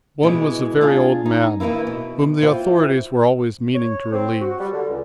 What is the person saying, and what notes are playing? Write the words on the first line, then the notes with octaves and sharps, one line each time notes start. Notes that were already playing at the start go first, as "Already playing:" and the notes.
One was a very old man, whom the authorities were always meaning to relieve.
B2 E3 G#3
D4 F4 G#4
D#4
D#3 E3 A3 A#3 E4
B2
E3 C4 E4 F4
C#5
C4
F#4
G3
D3
C#2